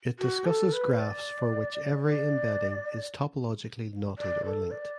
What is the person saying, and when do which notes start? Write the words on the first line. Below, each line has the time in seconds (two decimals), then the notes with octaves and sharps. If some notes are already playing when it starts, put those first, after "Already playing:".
It discusses graphs for which every embedding is topologically knotted or linked.
0.19 F#4
0.45 A4
0.73 B4
0.99 D5
2.05 D5
4.18 D5
4.45 A4
4.71 D5